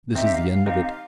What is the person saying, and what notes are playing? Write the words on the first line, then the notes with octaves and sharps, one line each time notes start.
This is the end of it.
C4 D#4 G4 E5
F5
F5
C4 D#4 G4 F5
F5